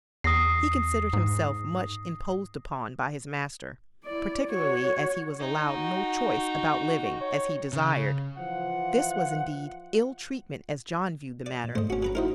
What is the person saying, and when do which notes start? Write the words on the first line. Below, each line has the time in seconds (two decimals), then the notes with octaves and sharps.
He considered himself much "imposed upon" by his master, particularly as he was allowed "no choice about living" as he "desired." This was indeed ill-treatment as John viewed the matter.
0.24 E2 D#6 A#6 C7
1.13 G#2
4.05 E4 D5
4.49 F#4 C#5
5.39 D#4 G5
5.74 F#4
7.21 C#5
7.73 C#3
8.37 E3 F3 F4 F#5
11.46 D5
11.64 A#2
11.75 G#2 A3 C5 D#5
11.90 G1 C#4 F#4
12.03 F#3 B4 A#5
12.15 D#4 E4 F#4 A#4 C5 D#5